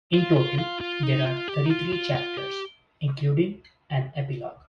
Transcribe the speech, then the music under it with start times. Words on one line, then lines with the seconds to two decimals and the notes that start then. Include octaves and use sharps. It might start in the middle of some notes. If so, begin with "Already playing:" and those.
In total, there are thirty-three chapters, including an epilogue.
0.14 F4
0.36 F4
0.58 F4
0.81 F4
1.03 D#4
1.25 F4
1.48 G4
1.66 D#4
1.70 F4
1.92 F4
2.15 F4
2.37 G4